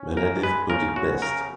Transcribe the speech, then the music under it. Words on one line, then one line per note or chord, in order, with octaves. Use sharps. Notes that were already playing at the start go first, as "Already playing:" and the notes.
Meredith put it best.
Already playing: C#4
C#3 A#4
G#3 B4
C#3 A#4
F#2 F#4
C#3 A#4